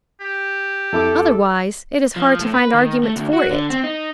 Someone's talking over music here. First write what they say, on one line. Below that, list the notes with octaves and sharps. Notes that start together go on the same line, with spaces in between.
Otherwise it is hard to find arguments for it.
G4
F2 E4 A4 D6
F3
A2
B4
D#3
A3
D2
F#4
D3
C4
D#4